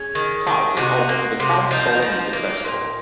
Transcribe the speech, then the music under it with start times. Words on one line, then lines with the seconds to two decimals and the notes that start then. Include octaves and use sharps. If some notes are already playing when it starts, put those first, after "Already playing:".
Taos is home to the Taos Solar Music Festival.
Already playing: C#4 G#4
0.15 D#3
0.47 D#3
0.77 C3 D#4 F#4
1.09 A#3
1.40 C3
1.71 F3 D#4
2.02 F3
2.33 A#3
2.64 A#2